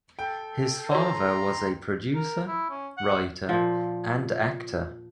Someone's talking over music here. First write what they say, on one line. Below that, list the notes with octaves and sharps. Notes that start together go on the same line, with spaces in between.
His father was a producer, writer, and actor.
A4 G5
F#4 C#5 A#5 C6
A#4
E4
C#4
F#5
A#2 F3